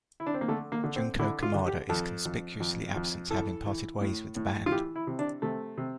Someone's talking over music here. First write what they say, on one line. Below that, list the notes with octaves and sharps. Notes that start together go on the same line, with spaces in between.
Junko Kamada is conspicuously absent, having parted ways with the band.
E4
D4
C4
A#3
D3 A3
A#3
D3
C4
D3 E4
F4
D3
G4
F2 A4
F2
F2
F2
E3 A4
E3
A2
A2
F4
E3 G4
E4
C3
D4
C3 A3
C3